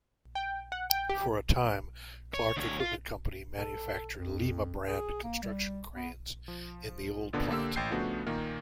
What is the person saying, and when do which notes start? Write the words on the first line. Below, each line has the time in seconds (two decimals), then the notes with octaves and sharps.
For a time, Clark Equipment Company manufactured Lima-brand construction cranes in the old plant.
0.35 G5
0.72 F#5
0.90 G5
1.09 G4
2.34 C#5
2.57 D2 C#5
2.80 F4
3.58 A4
4.17 F2
4.88 G#4
5.23 A#3
5.43 G3
5.96 B3
6.48 F3
7.33 A1 A#2 D3 B3 D4
7.51 D3 A#3 G4 E6
7.76 A1 G5 G6 C7
7.91 C#3 F3 A3 B3 D4 F#4
8.27 A#2 D#3 A#3 A#4